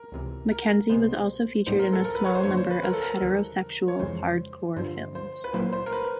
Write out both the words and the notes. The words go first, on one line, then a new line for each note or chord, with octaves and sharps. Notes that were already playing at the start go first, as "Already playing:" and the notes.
McKenzie has also featured in a small number of heterosexual hardcore films.
Already playing: A#4
C#2 C3 E3
A#4
C2 B2 G#3 B3 C5
A2 E3 G3 B3 D#4 C5
A#4
A4
A#4
B4
C#5
C5
F#2 D3 F3 A#3 D4 C#5
C5
B4
A#4
A4
A#4
D#2 C#3 E3 G3
C#5
F2 C#3 E3 G#3 C5
G2 D3 F3 C5
C5
B4
A#2 F#3 A#3 C#4 E4 C5
C5
A#4
B4